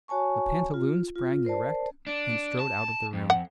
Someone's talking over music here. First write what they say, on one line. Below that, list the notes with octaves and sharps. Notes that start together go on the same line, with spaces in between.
The pantaloon sprang erect and strode out of the room.
F#4 C#5 G#5 A5 C#6
F4
F4
A#4 C5 D5 A5
D4
A5
F2
F#5